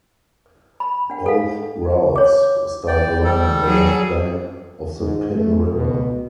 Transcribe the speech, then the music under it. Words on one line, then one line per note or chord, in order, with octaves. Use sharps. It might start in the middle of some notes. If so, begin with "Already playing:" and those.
Both routes start along the left bank of the Pin River.
B5
D4 F#5
A4 F5
C#5 D6
D5 G5
G3 A4
F#3 G#4
G#2
A3
B2